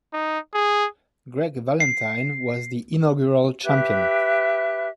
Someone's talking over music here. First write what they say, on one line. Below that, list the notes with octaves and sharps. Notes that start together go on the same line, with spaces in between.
Greg Valentine was the inaugural champion.
D#4
G#4
C7
G4 B4 E5 F#6